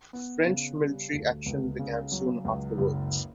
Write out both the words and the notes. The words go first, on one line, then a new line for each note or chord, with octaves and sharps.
French military action began soon afterwards.
B3
C#3
G3
D2
C#2
C#3
F#3
C#2
F#1